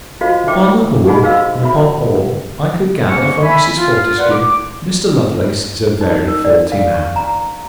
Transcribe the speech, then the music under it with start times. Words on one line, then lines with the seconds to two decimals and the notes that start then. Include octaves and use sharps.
Upon the whole, and upon all I could gather from Mrs. Fortescue, Mr. Lovelace is a very faulty man.
0.21 F4 F#4 C5 D#5 F5
0.47 D#4 C5 C#5 E5 G5 D6
1.07 D#4 G#4 D#5 F#5 G#5 B5
1.23 F#4 C5 D#5 F5 E6
1.62 F#4 C#5 E5 B5
3.08 G#2 A#3 B3 C#4 C#6
3.42 E5 G#5 B5
3.76 F4
4.18 A#3 F4 B4 D5 F#5
4.31 D6
6.01 D#4
6.28 A#4
6.45 D5
6.72 F5
6.94 C#6
7.16 A#5